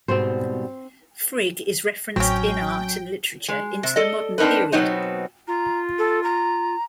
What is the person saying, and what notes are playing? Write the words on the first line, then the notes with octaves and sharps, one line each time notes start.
Frigg is referenced in art and literature into the modern period.
G#2 B2 G3 C4 C5
A1 A2 F#3 C4 C#4 G5 A#6
G#3
C3
A4 D5 D#5
C4 D4 D#4 A#4 B4
B2 F#3 B3 C4 D#4 C#5
F4 A#5
A4
A#5